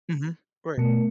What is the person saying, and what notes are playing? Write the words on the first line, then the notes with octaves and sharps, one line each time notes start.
Mhm. Right.
B2 A3 A#4